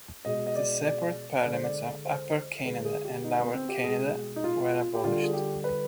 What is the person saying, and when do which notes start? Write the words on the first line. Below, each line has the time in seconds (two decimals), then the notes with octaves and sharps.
The separate parliaments of Upper Canada and Lower Canada were abolished.
0.25 B2 G#3 D#5
0.47 D#5
0.56 D5
0.85 D5
1.45 D3 G#3 D5
1.54 C5
1.63 D5
2.05 C5
2.64 D3 G#3 B4
2.85 G#4
3.04 G4
3.24 D#4
3.39 B3
3.55 C4
3.69 G4
3.83 B2 G#3 G#4
4.36 D#4
4.44 F4
4.95 G4
5.04 D3 G3 F4
5.23 G#4
5.33 G4
5.64 B4